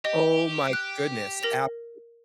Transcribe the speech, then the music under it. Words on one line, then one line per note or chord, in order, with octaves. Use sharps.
Oh my goodness. Absolutely.
G4 D#5
F#6
A#4 A#6 F7